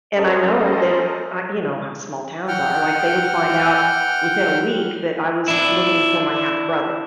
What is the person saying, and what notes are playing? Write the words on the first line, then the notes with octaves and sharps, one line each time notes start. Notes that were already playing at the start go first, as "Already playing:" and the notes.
and I know that, I you know, how small towns are, like they would find out within a week that I was looking for my half brother
C#4 A4 A#4 C5 D#5
F#5 G5 F6
D4 E4